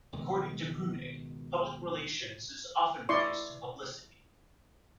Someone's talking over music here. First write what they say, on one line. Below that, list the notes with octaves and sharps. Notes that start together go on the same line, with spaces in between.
According to Grunig, public relations is often reduced to publicity.
C#2 B2 D#3 G#3
E4 D5 C6 C#6